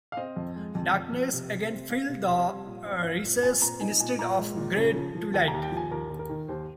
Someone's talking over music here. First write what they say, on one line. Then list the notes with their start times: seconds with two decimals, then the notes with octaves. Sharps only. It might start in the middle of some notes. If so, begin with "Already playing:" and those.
Darkness again filled the recess instead of the grey twilight.
0.12 F5
0.17 C4 D#5
0.37 F2
0.56 G#3
0.75 F2
0.94 F2
1.13 F2
1.33 C3
1.51 C3
1.71 C4
1.90 C4 F5
2.09 C3
2.28 C3
2.47 G3
2.66 A#2
2.86 C4
3.04 C4 F5
3.24 A#2
3.42 C4 G#5
3.62 A#2 A#5
3.80 D#4 G#5
4.00 A#2 G#5
4.19 A#2 A#5
4.38 G#3
4.57 A#2
4.77 C#3
4.95 F3
5.15 F3
5.34 D#2 G5
5.48 A#5
5.53 D#2
5.63 G5
5.72 F3 G#5
5.91 D#2 A#4
6.10 D#2
6.19 A#4
6.29 D#3
6.48 D#2 C5